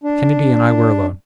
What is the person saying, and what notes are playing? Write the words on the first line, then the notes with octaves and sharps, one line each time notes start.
Kennedy and I were alone.
D4